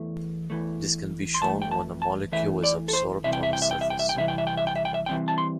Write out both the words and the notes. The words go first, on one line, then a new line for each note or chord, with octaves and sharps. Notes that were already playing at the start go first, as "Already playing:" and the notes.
This can be shown when a molecule is adsorbed on a surface.
Already playing: E2 E3 A3
E2 E3 A3
C6
E2 E3 A3 A5
G5
A5
A5
E2 E3 A3 E5
D5
A4
C5
C2 C3 E3 E5
G5
E5
G5
E5
G5
E5
G5
E5
G5
C2 C3 E3 E5
G5
E5
G5
E5
G5
E5
G5
E5
C2 C3 E3 G5
A5
C6